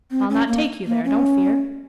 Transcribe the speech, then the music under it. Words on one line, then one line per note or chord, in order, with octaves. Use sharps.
"I'll not take you there, don't fear."
C4
C#4
A#3
A#3
C#4